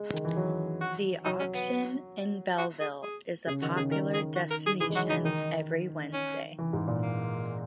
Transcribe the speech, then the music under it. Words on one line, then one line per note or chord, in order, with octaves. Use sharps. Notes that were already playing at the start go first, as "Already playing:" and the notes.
The auction in Belleville is a popular destination every Wednesday.
Already playing: G#3
D#3
E3
F#3
F#4
F#3 D#4
C#4
B3
F#4
G#4
G#4
C#3 G#4
D#3 F#4
C#3 G#4
D#3 A#4
G#4
F#4
A#4
G#4
E3 G#4
G#3
F#3 F#4
E3 D#4
D#3 D#4
C#4
E3
G#2
A#2
A#3